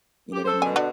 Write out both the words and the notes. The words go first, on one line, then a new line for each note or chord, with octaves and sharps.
you know what I mean?
G4
A4 C5
B2 D3 B3 G#5
D4 F#4